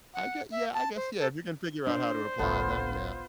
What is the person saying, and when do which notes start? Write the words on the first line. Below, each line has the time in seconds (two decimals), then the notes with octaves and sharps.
I gu yeah, I guess, yeah, if you can figure out how to apply them, yeah.
0.14 F#5
0.51 E5
0.74 A5
0.96 C5
1.19 A4
1.87 D4 C5
2.39 G1 C2 A2 D3 B3 F4 A4